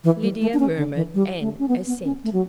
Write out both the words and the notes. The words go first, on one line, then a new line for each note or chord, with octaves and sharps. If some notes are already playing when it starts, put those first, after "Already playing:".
Lydia murmured an assent.
E3
G3
A3
D4
C#4
D3
E3
G3
A3
C#4
B3
B3
C#4
A3
F#3